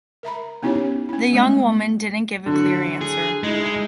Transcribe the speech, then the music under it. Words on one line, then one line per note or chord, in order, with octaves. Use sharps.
The young woman didn’t give a clear answer.
A#4 E5 A#5 B5
B3 C#4 D#4 E4 G4 C#5
C#4 E4
G#3 A3 B3
D3 F#3 E4 F#4
G#4
G#3 D#4 E4